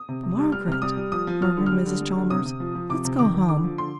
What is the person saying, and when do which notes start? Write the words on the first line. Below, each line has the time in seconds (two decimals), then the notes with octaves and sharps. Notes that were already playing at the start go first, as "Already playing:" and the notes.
"Margaret," murmured Mrs. Chalmers, "let's go home."
Already playing: D#6
0.09 C3
0.23 C3
0.38 G3
0.52 G3 F6
0.68 C3 F6
0.82 G3 D#6
0.97 G3
1.12 F3 D#6
1.27 F3
1.42 F3 F6
1.57 D3
1.66 G3 F6
1.86 D3
2.01 G3
2.15 D3
2.30 C3 D#6
2.45 C3
2.60 F3
2.75 F3
2.89 C3 D6
3.05 C3
3.19 D#3 D6
3.34 D#3
3.49 D3 D6
3.64 F3
3.78 D3 C6